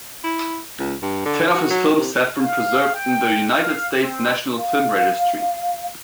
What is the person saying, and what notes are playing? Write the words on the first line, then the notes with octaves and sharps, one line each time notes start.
Ten of his films have been preserved in the United States National Film Registry.
E4
C#2
G2
D3
F#4
F#3
C3
F5
G5
F5
C4
F5